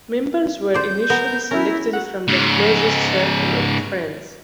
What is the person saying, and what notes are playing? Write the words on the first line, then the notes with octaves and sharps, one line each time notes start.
Members were initially selected from the closest circle of friends.
C5 D5 G6
B3 A#4
C#4 E4 A#4
F#4 F#5
G#2 C#3